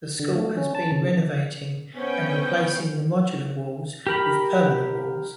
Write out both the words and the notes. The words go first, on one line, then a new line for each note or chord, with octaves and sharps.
The school has been renovating and replacing the modular walls with permanent walls.
D3
A3
C#4
A5
C#3
B3 C#4 C5 G5
G4 A#4 B5